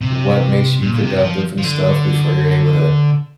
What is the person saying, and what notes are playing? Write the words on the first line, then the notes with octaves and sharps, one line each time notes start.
what makes you productive and stuff before you're able to,
C3
A#2
A#2
C3
F3
F3
D3